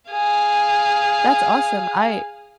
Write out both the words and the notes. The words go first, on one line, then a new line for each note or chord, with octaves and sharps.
That's awesome. I
G#4 F5